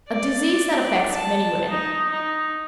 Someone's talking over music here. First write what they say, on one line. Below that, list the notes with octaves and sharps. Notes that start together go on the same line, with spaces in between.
A disease that affects many women.
D5
A5
D#4
D#4